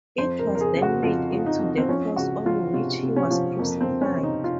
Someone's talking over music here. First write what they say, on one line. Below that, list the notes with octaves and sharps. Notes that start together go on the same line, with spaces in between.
It was then made into the cross on which he was crucified.
F2 C5
A#4
F2
A#4
G#4
C#3
F#4
F2 F4
F3
D#4
F2
C4
F3 C#4
C#2 F#4
F3 F4
C3 F4
C3
C#4
F3
F2 A#3
C4
F2
C#4
C3
D#4
F4